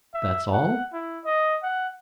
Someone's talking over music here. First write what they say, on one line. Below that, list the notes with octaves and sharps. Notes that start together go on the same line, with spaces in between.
"That's all?"
E5
F#5
E4
D#5
F#5